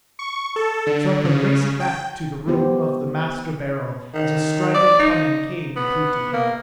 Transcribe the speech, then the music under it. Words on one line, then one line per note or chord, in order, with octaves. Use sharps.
Sarka raced back to the room of the Master Beryl as a strident humming came through to him.
C#6
A4
D3
C#3
G5
F3 G#3 B3 G4 C5
D#3
D5
D#4
B3
A#3